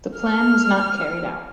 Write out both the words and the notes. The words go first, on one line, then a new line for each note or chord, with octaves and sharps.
The plan was not carried out.
F6